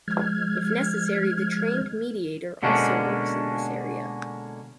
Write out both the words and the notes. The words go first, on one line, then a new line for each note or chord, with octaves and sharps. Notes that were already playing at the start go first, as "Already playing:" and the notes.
If necessary, the trained mediator also works in this area.
F3 G#3 F6 G#6
B2 D3 G#3 A#3 C#4 D4